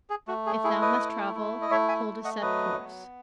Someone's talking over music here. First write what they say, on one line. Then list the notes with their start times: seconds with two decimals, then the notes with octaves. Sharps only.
If thou must travel, hold a set course.
0.10 G#4
0.28 A3 F#4
0.46 G#4
0.64 E4 G#4
0.81 B4 D#5
0.99 A3
1.35 E4
1.62 D#5
1.70 A3 C#5 E5
1.88 E5 G#5
2.06 A3
2.24 D#5 F#5
2.42 F#3 B4 D#5
2.78 B3